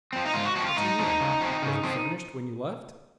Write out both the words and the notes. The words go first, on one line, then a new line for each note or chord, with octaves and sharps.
'What do you mean?--was it furnished when you left?'
F3 C4
D#4
G#2 F4
F#4
F3 C4 F#4
F4
G#2 D#4
F3 C4
C#3
F3 C4
C#3
F3 C4